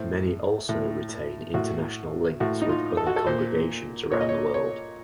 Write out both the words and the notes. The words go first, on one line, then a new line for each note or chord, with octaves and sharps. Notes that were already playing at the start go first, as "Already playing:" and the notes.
Many also retain international links with other congregations around the world.
Already playing: A2 C5
A2
A2 F#4
A2 F#4
D#4
F4
A4
F#4
A4
A#2 C5
A#2 C#5
D#5
C#5
C#5